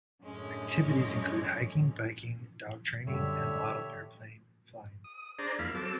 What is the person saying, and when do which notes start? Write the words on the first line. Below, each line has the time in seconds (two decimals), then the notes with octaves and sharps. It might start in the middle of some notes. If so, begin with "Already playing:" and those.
Activities include hiking, biking, dog training, and model airplane flying.
0.24 F#2 A2 D3 G#3 C#4
3.07 F#2 A#2 D3 G3 G4 C#5 E5
5.04 D#6
5.39 D4 G#4 C5 D5 A#5
5.59 F2 A#3 E4 F5 B5
5.75 F#3 C4 A4 D6 E6